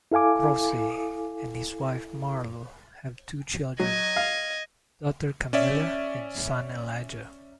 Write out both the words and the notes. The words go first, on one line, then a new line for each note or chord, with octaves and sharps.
Croce and his wife Marlo have two children, daughter Camille and son Elijah.
E4 A4 F5 G#5 D6
F#3 D#5 G#6
F5
C#4 D5 E5